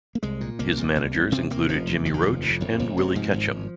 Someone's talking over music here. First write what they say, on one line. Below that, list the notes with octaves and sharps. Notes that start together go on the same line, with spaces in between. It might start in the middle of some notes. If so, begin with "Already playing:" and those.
His managers included Jimmy Roche and Willie Ketchum.
A#3
C2 G#3
A#2
C2 A#3
A#2
C2
C2
C3 C4
C3 A#3
F1 F3
F1
D#2 F3
D#3
F1 F3
F2
F1
F1
C3
G#2 F3
G#1